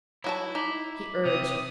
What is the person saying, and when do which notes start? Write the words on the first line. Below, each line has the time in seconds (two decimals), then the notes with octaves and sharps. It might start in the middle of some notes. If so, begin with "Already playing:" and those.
He urged.
0.24 F#3 E4 F#4 A5
0.55 D#4 D6 B6 F#7
1.25 C3 D#6